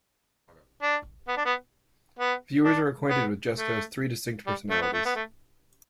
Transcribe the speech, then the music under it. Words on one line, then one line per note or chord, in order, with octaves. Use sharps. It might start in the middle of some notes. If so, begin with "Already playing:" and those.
Viewers are acquainted with Jesco's three distinct personalities.
D4
B3
D4
B3
B3
D4
B3
A3
G3
A3
B3
A3
B3
A3